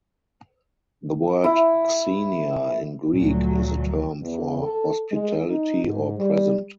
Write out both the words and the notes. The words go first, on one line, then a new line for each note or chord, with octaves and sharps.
The word Xenia in Greek is a term for hospitality or present.
E4
D2 A#2 F3 F#3
E2
A4
G#3
D#4
G#2
G3